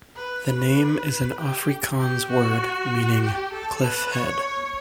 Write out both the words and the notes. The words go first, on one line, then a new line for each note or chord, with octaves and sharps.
The name is an Afrikaans word meaning cliff head.
B4
B4
G4
G4
F#4
G4
A4
B4
C#5